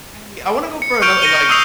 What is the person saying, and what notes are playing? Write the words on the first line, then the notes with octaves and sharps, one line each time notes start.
I I wanna go for another, like
C#7
C#6 F6 G6 D7 F7
A#6 C#7 D#7 G7
C#6 D#6 E6 G6 C7 F7